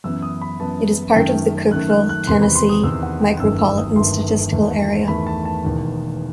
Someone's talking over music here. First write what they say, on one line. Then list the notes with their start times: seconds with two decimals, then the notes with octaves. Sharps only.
It is part of the Cookeville, Tennessee Micropolitan Statistical Area.
0.04 F#2 E3 B3 E6
0.22 D#6
0.41 B5
0.60 F#2 E3 B3 A5
1.15 F#2 D#3 A3 G5
1.71 F#2 F#6
1.74 D#3 A3
1.90 F#6
2.09 F#6
2.27 E2 C3 D#3 C6
2.42 B5
2.56 C6
2.69 D#6
2.84 E2 C3 D#3 E6
3.03 F#5
3.21 G5
3.40 G1 F#2 D#3 A3 E6
3.59 E6
3.77 D#6
3.96 G1 F#2 D#3 A3 C6
4.52 E2 D#3 A3
5.08 E2 D#3 A3 B5
5.27 A5
5.45 A5
5.64 E1 E2 D#3